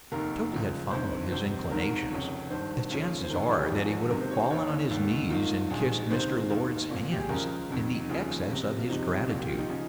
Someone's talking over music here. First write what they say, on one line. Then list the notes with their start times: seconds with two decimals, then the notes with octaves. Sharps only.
If Toby had followed his inclinations, the chances are that he would have fallen on his knees, and kissed Mr. Lord's hands in the excess of his gratitude.
0.12 F1 D#2 D#3 A#4
0.52 C#2 C#3 F3
0.91 G1 F2 D#3 C5
1.31 F1 F2 C3 C5
1.52 C5
1.71 G#1 G#2 D#3 A#4
2.10 F1 F2 C#3 F3 C#5
2.50 G#1 G2 D#3 C5
2.90 D#2 C#3 F3 C#5
3.23 C5
3.30 F1 D#2 D#3 A#4
3.43 G#4
3.58 G4
3.70 G#1 G#2 F3 G#4
4.10 C#2 C3 D#3 A#4
4.21 C5
4.31 C#5
4.40 C5
4.50 D#2 D#3 C#5
4.90 F1 D#2 D#3
5.30 G#1 G#2 D#3 F4
5.70 A#1 G#2 D#3 G#4
6.10 C#2 C3 D#3 C5
6.50 D#2 D#3
6.89 C2 A#2 F3
7.11 G4
7.20 G#4
7.29 C#2 C#3 F3 A#4
7.70 F1 F2 D#3
8.09 D#2 C#3 F3 G#4
8.50 C#2 C3 F3
8.79 F4
8.89 C#2 C3 F3 D#4
9.29 C2 A#2 F3 F4
9.39 G4
9.49 F4
9.58 D#4
9.70 C#3 F3 D#4